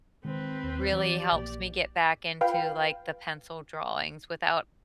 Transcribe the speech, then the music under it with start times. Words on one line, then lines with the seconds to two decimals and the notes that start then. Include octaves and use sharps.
really helps me get back into, like, the pencil drawings without
0.25 D#3 G#3 C4 B4
0.63 D#2
0.92 E3 G4 D5
1.32 A#1 A#3
2.41 F4 B4 F5 G5